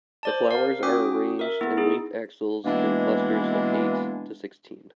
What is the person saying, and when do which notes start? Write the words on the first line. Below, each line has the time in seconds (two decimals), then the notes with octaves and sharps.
The flowers are arranged in leaf axils in clusters of eight to sixteen.
0.23 C5 D5 A5
0.48 A#4 F5
0.83 C#4 F#4 G5 D6 D#6
1.39 A#4 E5
1.61 B3 E4
1.77 D#4 G#4
2.65 B2 E3 G#3 A#3 B3 D4